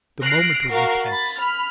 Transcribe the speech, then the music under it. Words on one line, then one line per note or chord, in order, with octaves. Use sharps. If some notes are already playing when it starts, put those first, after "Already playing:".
The moment was intense.
F6 F#6 A#6 C7 D7
F#4 A#4 F5
B5 A6
B5 F6